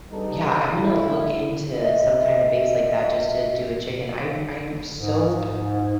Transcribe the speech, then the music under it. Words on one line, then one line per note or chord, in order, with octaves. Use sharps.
Yeah, I'm gonna look into some kinda base, like, uh, just to do a chicken. I'm I'm so
G3 B3 D4 D#4 G#4 A4
A2 C#3 A3 E4
D#5 E5
G#2